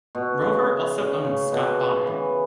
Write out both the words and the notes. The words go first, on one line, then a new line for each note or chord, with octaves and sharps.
Rover also owns Scott Bonnar.
B2
C#3
C#3
C#3
B2
C#3
E3